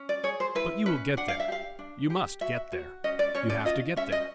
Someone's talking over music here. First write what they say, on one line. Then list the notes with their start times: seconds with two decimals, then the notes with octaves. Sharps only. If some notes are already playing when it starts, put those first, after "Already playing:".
But you will get there; you must get there; you have to get there.
Already playing: C#4
0.09 D5
0.23 G#4 C#5
0.40 C5
0.55 E4 B4
0.86 C#4 B4
1.17 D4 F#5
1.28 F5
1.40 E5
1.48 G4 F5
1.79 D4
2.10 G4
2.41 F#4 E5
2.72 F#4
3.04 C#4 D#5
3.19 D5
3.35 C#4 C#5
3.50 D5
3.65 F4 D#5
3.96 C#4 E5
4.12 D#5